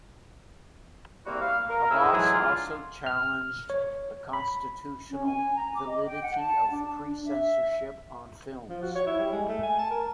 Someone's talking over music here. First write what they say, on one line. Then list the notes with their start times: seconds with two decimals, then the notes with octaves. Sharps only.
Abbas also challenged the constitutional validity of pre-censorship on films.
1.26 G3 A#3 C4 E4 F#4
1.42 F5
1.69 A#4
1.90 G#2 A3 E4 G#4 E6
2.12 A2 E3 F#3 G#3 G#4
2.34 D4 F4
3.06 F6
3.70 C#5
4.33 B5
5.11 C#4
5.25 G#5
5.56 A#5
5.75 D6
5.87 D#5
6.06 G5
6.22 F#5
6.36 A5
6.71 D4
7.26 E5
8.69 F3
8.82 F#4
8.95 C#5
9.07 E4
9.19 G3
9.32 G#3
9.48 A3
9.63 G#5
9.79 A5
9.91 A#4